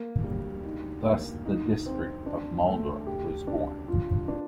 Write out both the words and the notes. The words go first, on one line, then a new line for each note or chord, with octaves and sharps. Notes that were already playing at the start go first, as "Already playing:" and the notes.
Thus the district of Malda was born.
Already playing: A#3
G3
D#4
A#3
D#4
C4
D4
A3
G4
D4
F4
D4